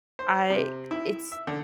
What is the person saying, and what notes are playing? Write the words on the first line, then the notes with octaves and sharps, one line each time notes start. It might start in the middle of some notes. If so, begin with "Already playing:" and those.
I it's
C5
C3
E4
E5
D3